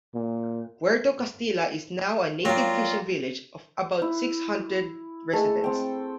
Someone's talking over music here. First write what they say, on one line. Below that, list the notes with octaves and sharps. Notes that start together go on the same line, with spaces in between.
Puerto Castilla is now a native fishing village of about six hundred residents.
A#2
F#3 G3 A#3 F4
E4
G#3 A3 A4
C4 G5